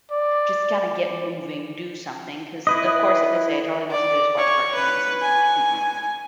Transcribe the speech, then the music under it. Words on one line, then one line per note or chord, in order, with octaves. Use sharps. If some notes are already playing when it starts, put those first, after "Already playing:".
just kinda get moving, do something, 'cause of course at this age all he wants to do is watch cartoons and, mm-mm.
D5
E4 B4 D#5
D5
C#5
B4
G#5